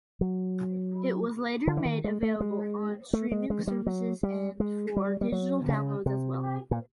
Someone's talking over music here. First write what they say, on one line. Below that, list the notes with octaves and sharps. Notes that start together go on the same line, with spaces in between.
It was later made available on streaming services and for digital download as well.
F#3
D3
E3
D#3
G#3
A3
G#3
A3
G#3
G#3
G3
F#3
G3
G#3
G3
G3
F#3
C#3
C3
A#2